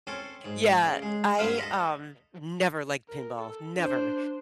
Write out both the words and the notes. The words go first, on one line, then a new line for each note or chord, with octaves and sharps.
Yeah, I, um, never liked pinball, never,
C4 C#4 A4
G#2
C#3 G5
G#3
G2 C4 B4 C5 F5 F#5
A4 D#5 A#5 B5
A#4
A4
D4 C5